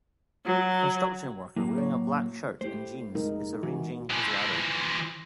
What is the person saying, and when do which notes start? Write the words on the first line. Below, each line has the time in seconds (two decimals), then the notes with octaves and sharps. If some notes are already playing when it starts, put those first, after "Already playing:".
A construction worker wearing a black shirt and jeans is arranging his ladder.
0.45 F#3
1.57 A2 F#3 A#3 E4
1.78 C#5
2.61 A3 E4 G4 C5
3.15 C2 F2 G#3 D#4 A#4
3.63 E3 F#4
4.10 E3 F3